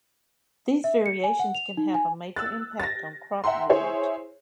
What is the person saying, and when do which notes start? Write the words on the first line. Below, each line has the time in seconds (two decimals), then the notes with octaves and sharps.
These variations can have a major impact on crop yield.
0.84 E5
1.06 C#7
1.24 G#5
1.39 F#5
1.55 F7
1.77 D#4
1.94 G#5
2.36 E6 F#6 A6
2.80 A6 A#6
3.44 E5 F#5 G5 A#5 C6
3.69 E4 G#4 C5 C#5